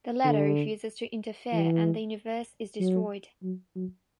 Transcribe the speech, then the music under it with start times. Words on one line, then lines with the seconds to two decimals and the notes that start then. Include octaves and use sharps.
The latter refuses to interfere and the universe is destroyed.
0.24 D3
1.52 E3
2.80 F#3
3.43 F#3
3.75 F#3